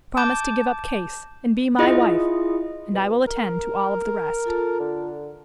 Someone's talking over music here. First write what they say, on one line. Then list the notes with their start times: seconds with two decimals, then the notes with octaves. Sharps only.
Promise to give up Case, and be my wife, and I will attend to all of the rest.
0.17 A5 D6 G6
1.79 E4 F4 G#4 D#5
2.93 B2
3.27 A#4
4.46 F4 A4 A5
4.80 D3